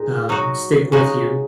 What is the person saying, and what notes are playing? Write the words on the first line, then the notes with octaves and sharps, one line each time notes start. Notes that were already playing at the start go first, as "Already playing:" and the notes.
um, stick with you,
Already playing: A#2 G#3 D#4
F#3 D#4 F#4
C#3 G#3 D#4 F#4